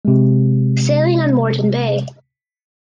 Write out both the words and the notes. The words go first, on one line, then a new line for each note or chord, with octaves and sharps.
Sailing on Moreton Bay.
C3 G#3